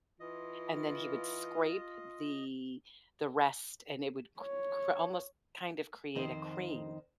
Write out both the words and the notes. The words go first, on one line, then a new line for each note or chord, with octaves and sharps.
and then he would scrape the the rest, and it would cr cr almost kind of create a cream.
E3 F4 D#5
C#5
F2 D#3 D#4 C5